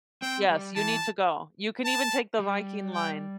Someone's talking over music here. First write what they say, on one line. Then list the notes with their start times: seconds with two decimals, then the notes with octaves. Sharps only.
Yes, you need to go. You can even take the Viking Line
0.22 C4 G5
0.50 G3
0.76 E3 A5
1.85 A5
2.40 G3
2.94 G5